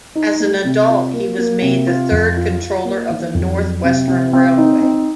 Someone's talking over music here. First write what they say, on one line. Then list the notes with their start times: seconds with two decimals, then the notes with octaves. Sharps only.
As an adult, he was made the third Controller of the North Western Railway.
0.15 D#4
0.40 A3
0.65 C3
0.89 F4
1.13 A#3
1.38 A#3
1.62 C3
1.87 F4
2.11 F2
2.37 F4
2.61 F4
2.85 A#3
3.10 D#3
3.34 F2
3.59 F#3
3.84 C3
4.08 C3
4.33 C4
4.58 D#4
4.82 C4